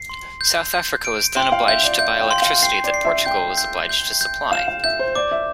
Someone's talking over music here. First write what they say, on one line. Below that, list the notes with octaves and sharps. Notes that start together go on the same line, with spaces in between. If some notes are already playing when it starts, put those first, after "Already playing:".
South Africa was then obliged to buy electricity that Portugal was obliged to supply.
Already playing: C7
C6
G6
G6
D7
G5 C6
F5
E5 G6
D5
E5 G6
G5
C6
F5
G5 C7
D5
C7
E5
G5 G6
G6
G6
G6
F5 E7
F5
E5 G6
C5
D5 D6
E5